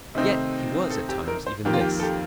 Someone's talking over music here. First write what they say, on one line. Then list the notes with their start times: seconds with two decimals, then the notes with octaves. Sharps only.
Yet he was at times even this.
0.15 C3 D#3 A3 C4 D#4 D#5
0.90 A4
1.09 G4
1.28 A#4
1.47 C5
1.65 F2 D#3 A#3 G4
1.73 F4
1.81 G4
1.99 A4
2.03 G4